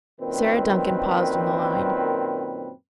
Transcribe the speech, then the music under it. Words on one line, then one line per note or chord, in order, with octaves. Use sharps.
Sarah Duncan paused on the line.
F#2 A#2 D#3 C4 B4